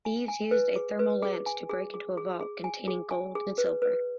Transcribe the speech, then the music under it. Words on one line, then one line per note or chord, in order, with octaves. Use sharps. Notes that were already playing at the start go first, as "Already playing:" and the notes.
Thieves used a thermal lance to break into a vault containing gold and silver.
G#5
G#5
B4
G#4
B4
G#4
G#5
G#4
G#4
G#4
G#4
G#5
G#4
G#5
G#4
B4
B4